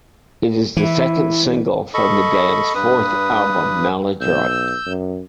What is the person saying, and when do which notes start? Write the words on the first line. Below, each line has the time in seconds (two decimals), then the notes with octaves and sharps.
It is the second single from the band's fourth album, "Maladroit".
0.77 E3 E4
1.94 A4 D#5 B5 C#6
2.75 G2 B4 D#6
4.21 B1 E6 G6
4.87 F#2